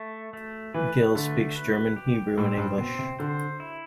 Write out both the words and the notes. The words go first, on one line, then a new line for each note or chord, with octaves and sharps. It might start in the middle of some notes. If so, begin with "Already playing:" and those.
Gil speaks German, Hebrew, and English.
Already playing: A3
A3
E3 B4
D3 A3
B4
G4
A2 C4
G2
B2 C4
C3
D3 C5
E4